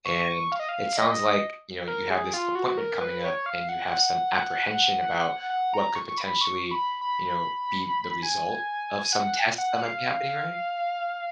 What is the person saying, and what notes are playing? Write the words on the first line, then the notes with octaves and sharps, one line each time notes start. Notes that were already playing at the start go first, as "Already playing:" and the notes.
And it sounds like, you know, you have this appointment coming up, and you have some apprehension about what could potentially, you know, be the result of some tests that might be happening, right?
C#6
F5
D#5
F5
D#5
A#4
G#4
F4
F#4
A#4
B4
C#5
F5
F#5
F#5
A#5
C#6
B5
C#6
B5
B5
G#5
F#5
F#5
F5